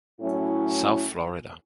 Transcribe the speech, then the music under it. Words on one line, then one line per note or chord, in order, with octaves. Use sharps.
South Florida.
A2 F#3 C#4 E4